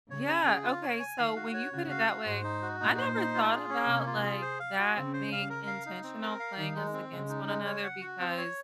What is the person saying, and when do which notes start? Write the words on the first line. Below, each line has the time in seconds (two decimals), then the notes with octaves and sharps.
Yeah, okay. So when you put it that way, I never thought about, like, that being intentional playing us against one another because,
0.10 C#3 C#5
0.29 G#5
0.46 G#4
0.64 F4
0.83 C#5
1.00 G#5
1.18 D#3 F5
1.36 F#4
1.54 C#5
1.72 C#3 F#4
1.91 F5
2.09 F#4
2.26 G#2 C5
2.44 D#4
2.62 F#4
2.80 A#2 D#4
2.98 C5
3.16 D#4
3.35 F4
3.52 G#4
3.70 C#4
3.88 C3 A#3
4.06 F4
4.24 G#4
4.42 C5
4.60 F5
4.79 F#4
4.96 C#3 C4
5.13 C5
5.32 F5
5.50 A#4
5.67 F5
5.86 D#4
6.04 C4
6.22 A#4
6.40 F5
6.58 D#3 D#4
6.75 G#3
6.93 C4
7.12 C#3 G#3
7.29 D#4
7.48 G#3
7.65 C#5
7.84 F#5
8.01 F#4
8.20 C4
8.38 C#5